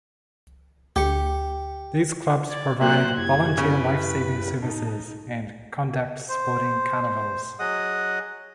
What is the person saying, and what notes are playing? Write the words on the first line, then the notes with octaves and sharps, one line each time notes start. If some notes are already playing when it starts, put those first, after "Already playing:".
These clubs provide volunteer lifesaving services and conduct sporting carnivals.
D2 G4 C#7
D5 G#6
A#2 F#3 C5 F#6
F#2 E4 G4 G#6
C#3 B4
A2 D#4 A5
C5
F#3 G#4 D#5 F#5 D#6